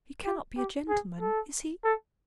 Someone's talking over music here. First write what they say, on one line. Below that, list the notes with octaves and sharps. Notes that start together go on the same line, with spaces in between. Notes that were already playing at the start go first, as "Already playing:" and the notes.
He cannot be a gentleman--is he?'
G4
G4
G#4
A4
A4